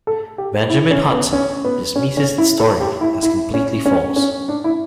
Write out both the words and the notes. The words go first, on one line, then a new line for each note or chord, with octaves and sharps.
Benjamin Hudson dismisses the story as "completely false".
A4
G4
E4
C#4
B3
C#4
B3
C#4
C#4
E4
A4
G4
E4
E4
C#4
C#4
C#4
D4
E4